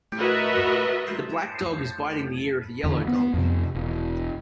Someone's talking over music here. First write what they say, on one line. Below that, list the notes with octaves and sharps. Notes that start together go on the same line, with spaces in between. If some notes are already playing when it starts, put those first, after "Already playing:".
The black dog is biting the ear of the yellow dog.
F#4 A#4 B4 D#5 E5
E2 D3
B3
F2 C3
E1